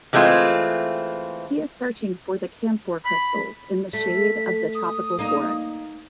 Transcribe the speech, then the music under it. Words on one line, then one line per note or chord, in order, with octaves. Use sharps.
He is searching for the camphor crystals in the shade of the tropical forest.
E3 G#3 A3 C4 F4
B5
A3 B6
D#6
A#3 D#4